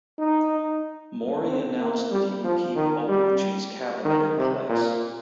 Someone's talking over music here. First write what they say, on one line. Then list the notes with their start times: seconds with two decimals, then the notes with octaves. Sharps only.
Mori announced that he would keep Obuchi's cabinet in place.
0.18 D#4
1.48 C4
1.79 A#3
2.11 G3
2.44 F3
2.76 D#3
3.08 G3
4.05 D#3
4.37 C3
4.69 A#2